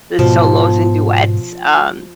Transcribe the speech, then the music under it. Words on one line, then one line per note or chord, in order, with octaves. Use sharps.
the solos and duets. Um,
G#2 B2 F3